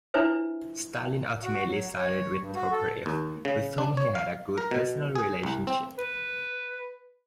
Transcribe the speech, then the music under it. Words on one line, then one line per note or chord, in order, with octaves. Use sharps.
Stalin ultimately sided with Tokarev, with whom he had a good personal relationship.
D4 E4 F4 B4 C5 E5
F#4
F#3
C#5
G2
F#4
A4
D#2
C#3
D4
C#5
F5
A#4
B2
G#4
C2
C4
B4